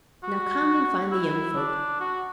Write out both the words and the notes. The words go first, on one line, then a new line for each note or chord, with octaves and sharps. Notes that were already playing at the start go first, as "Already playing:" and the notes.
Now, come and find the young folk.
F#4
E4
D4
F#4